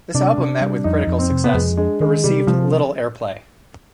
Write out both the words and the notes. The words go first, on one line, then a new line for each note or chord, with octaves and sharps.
This album met with critical success but received little airplay.
C3 D4
C3
G3
F2 D#4
F2
C4
C3
B3
F2 G#3
G#3 D4
D#3 G#3
C3 G3
C3 F3